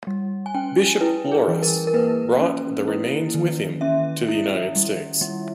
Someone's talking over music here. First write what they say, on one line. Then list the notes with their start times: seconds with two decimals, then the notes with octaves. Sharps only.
Bishop Loras brought the remains with him to the United States.
0.07 G3
0.46 G#5
0.54 C#4 G5
1.01 E4 B4
1.31 G#4
1.48 E3
1.63 A#4
1.87 A#4
1.94 A#3 B4
2.41 C#4
2.88 E4
3.34 D#3
3.81 C#4 E5
4.28 E4
4.76 G3
5.21 G3